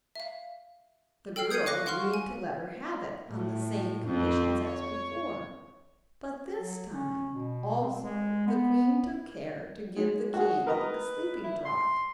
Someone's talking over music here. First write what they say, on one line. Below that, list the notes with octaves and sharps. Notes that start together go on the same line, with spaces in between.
The girl agreed to let her have it on the same conditions as before; but this time, also, the queen took care to give the king a sleeping draught.
E5 F5
A4 G5 E6 F6 C7
D#6 G6 G#6 C7 C#7 D#7
F5 C#6 D6 F#6 A#6
F5 F#5 C6 C#6 F6
G#5
A2
F2 C4
C#5
F#3
C#4
B2
C4
G#3
B3
G#3
F#4 G#4
A#4 B4 D#5 A#5
E4
C6